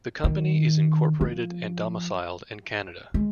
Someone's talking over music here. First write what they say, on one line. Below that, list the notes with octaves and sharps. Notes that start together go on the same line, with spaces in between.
The Company is incorporated and domiciled in Canada.
D#3
F3
G#3